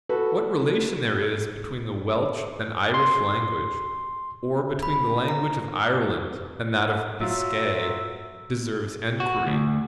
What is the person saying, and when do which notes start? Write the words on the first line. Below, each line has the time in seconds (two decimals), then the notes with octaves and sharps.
'What relation there is between the Welch and Irish language, or between the language of Ireland and that of Biscay, deserves enquiry.
0.09 F#4 A4 B4
2.94 C6
4.83 B5
5.28 A#5
7.21 F#3 F4 E5
9.20 F#4
9.46 D2